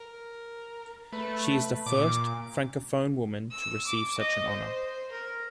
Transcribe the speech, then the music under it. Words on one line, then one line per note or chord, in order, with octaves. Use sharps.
She is the first Francophone woman to receive such an honour.
A#4
A3 B4
A#2 D6
E6
D6
D#5
C5
A#4